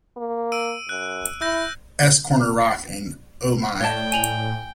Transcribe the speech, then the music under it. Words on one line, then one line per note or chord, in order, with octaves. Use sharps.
"S-Corner Rock", and "Oh My".
A#3
E6 D7 D#7
F#2 F#6
E4 E6 G6 A#6
A2 C#5 D5 G5 A5
G#5 F7 F#7